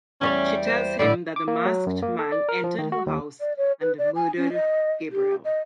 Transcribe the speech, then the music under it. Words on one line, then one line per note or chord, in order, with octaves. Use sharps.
She tells him that the masked man entered her house and murdered Gabriel.
E2 G3 C#4 C#5
C5
A2 D3 G3 D5
D6
A#3
F#3
F#2
A#3
A4
D5
A#4
F3
D#3
F#4
D#2
D5
C#5
B4
D5
G#5
C#4
D#5
G4
D#5